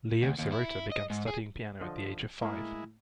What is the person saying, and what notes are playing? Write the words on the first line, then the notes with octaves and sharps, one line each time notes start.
Leo Sirota began studying piano at the age of five.
D2
D#2
E4
D#5
G#2
G#4
D3 F3 D#5
A2 G#3 A#3 E4 A#4